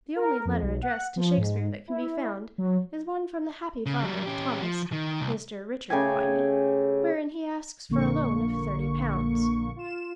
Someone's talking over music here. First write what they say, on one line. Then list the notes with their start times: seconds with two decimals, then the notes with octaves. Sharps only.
The only letter addressed to Shakespeare that can be found is one from the happy father of Thomas, Mr. Richard Quiney, wherein he asks for a loan of thirty pounds.
0.16 A#4
0.45 F2
0.62 B1
0.82 F#5
1.16 F3
1.37 G#2
1.88 E4
2.58 F#3
3.86 C#3
4.03 F#3 G3
4.26 C#4 G4
4.62 F3
4.92 D#3
5.21 C2
5.90 C#3 A3 G4 G#5
7.89 A#1 D3 A#3 C#6
9.76 F4 E7